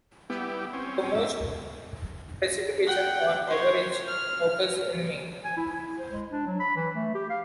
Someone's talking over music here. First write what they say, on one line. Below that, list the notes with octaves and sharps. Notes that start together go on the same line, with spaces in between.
The most precipitation on average occurs in May.
G3 B3 E4 G4
C4 C#4
G#2 E5
F#5 G5
C5 C#5
F6
G#5
E4
E4
C5
G#3
D4
F#3
B5
E3
A3
G4
F5